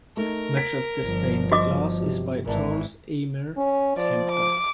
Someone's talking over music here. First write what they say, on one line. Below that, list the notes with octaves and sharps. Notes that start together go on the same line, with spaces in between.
Much of the stained glass is by Charles Eamer Kempe.
A3 D#4 A#4
B6 D7
G1 F3
F#4 D#5 D6
C3 F#3
G#1 E3 A#4 D5 A5
C#4
F3 D5
D6